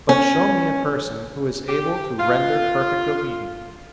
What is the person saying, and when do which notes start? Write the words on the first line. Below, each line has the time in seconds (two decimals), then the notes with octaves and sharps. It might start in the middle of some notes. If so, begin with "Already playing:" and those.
But show me a person who is able to render perfect obedience.
0.09 C#4
1.69 G4
2.19 F4